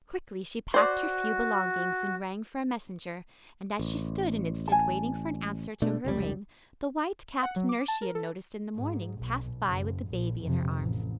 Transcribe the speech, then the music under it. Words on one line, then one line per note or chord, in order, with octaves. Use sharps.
Quickly she packed her few belongings and rang for a messenger, and as she stood an instant waiting for an answer to her ring, the white-capped nurse she had noticed in the morning passed by with the baby in her arms.
F#4 C5 D5
A1
G#5 A5
B2 A3 D4
F1 C#2 G3
F#5
F#3
D6
A5
A#4
A4
G#2
B1
F#1
A#1
F2 C3
A1